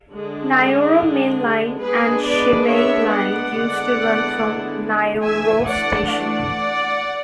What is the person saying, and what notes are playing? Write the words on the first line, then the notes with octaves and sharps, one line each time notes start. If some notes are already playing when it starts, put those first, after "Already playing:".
Nayoro Main Line and Shimmei Line used to run from Nayoro Station.
D3 G#3 D4
G#3 B3 D4 G#4 B4
B4 D5
C#5 E5
D5 F#5
D3 G#3 B3 E4
E3 A3 D4 E5 G#5
D5 F#5
D5 F#5